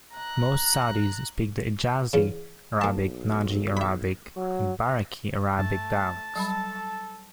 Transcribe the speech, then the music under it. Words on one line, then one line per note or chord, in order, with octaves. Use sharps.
Most Saudis speak the Hejazi Arabic, Najdi Arabic and Bareqi Arabic dialects.
A#5 F#6
E2 C#3
B1 A#3 A5
E5 B5
F#3
G2 A3 A5
F#3 G3 A4 B5